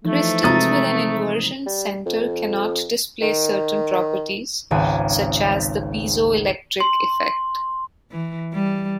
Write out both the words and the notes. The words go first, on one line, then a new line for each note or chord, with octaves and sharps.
Crystals with an inversion center cannot display certain properties, such as the piezoelectric effect.
E3 F3 A3 D#4
C3 G#3 F#4 A#5 D#6 A6
G3
F2
D#3
G#1 C#2 C4 B4 G#5
C6
E3
G3